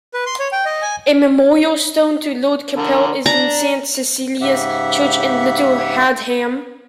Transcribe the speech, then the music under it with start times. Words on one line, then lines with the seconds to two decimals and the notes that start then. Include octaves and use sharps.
A memorial stone to Lord Capell is in Saint Cecelia's Church in Little Hadham.
0.14 B4
0.26 C6
0.40 C#5
0.52 G5
0.65 D#5
0.82 G#5
2.76 D3 A#4
3.26 D4 A#5
4.41 G#2 C#3 G4 E5 F#5